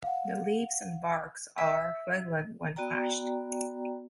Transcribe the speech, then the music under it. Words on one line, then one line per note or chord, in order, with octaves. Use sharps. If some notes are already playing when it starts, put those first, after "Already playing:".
The leaves and bark are fragrant when crushed.
F5 F#5
E5
B3 F#4 D5 G5 A#5